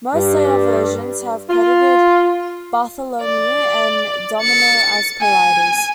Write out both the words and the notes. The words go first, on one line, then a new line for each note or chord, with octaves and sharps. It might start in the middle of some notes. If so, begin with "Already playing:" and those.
Most later versions have credited Bartholomew and Domino as co-writers.
G2
F4
D5
A6 C#7
G#5